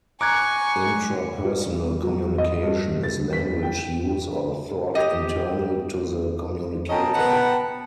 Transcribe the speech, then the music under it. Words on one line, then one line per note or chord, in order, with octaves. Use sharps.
Intrapersonal communication is language use or thought internal to the communicator.
G#5 A#5 C#6 D6 F#6 G#6
G3
F#3
D#5
G2
A6
B6
G5
G4 D#5
B2 C#4 D#5 G5 A5 A#5
B3 B4 F#5